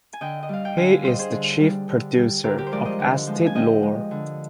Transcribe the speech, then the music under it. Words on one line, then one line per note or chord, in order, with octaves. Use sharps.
He is the chief producer of Eesti Laul.
G#5
D3 D#5 G5
D#5
G3 F5
G5
D3 F5 G#5
G3 C5 D#5
G#4 C5
D3
G3
D3
G3
D3 G4 A#4
G4 A#4
C5
F3 G#3 A#4 D5
C5 D#5
D3
F3 G#3
G#5
D3 D#5 G5
G#3
D3